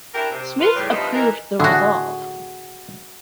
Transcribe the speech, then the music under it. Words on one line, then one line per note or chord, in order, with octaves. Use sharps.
Smith approved the resolve.
C#4 D4 E4 G4 A#4
C3
F4 B4
A2 C#3 G3
G2 F3 B3 D#4 D#5 E5
E3 D#4 A#4
A2 D3 F#4 G#4